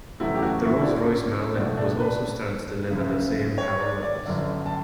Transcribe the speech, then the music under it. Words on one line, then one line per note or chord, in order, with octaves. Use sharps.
The Rolls-Royce Merlin was also starting to deliver the same power levels.
E2 C#3 F#3 A3 E4
G4
F#4
E4
D4
C#4
C#2 B2 A3 D4
D4
B4
F#1 F#2 C#3
C#5
D5
D5
G1 F#2 D3
A5